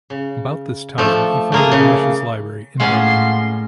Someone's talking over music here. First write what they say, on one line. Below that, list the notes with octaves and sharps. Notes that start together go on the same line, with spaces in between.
About this time he founded Marsh's Library in Dublin.
C#3
F3 A3 D4
A3 A#3 G#4
C#3
A2 G#3 A#3 C#4 F5 F#5 C6 A6